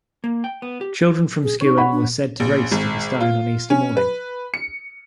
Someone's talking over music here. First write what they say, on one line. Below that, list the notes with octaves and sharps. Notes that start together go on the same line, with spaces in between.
Children from Skewen were said to race to the stone on Easter morning.
A#3
G5
B3
G4
G#4
D#4 C#5
C#5 F#5 B5
D4
A#1
G#1
F4
C#4
B4
C#7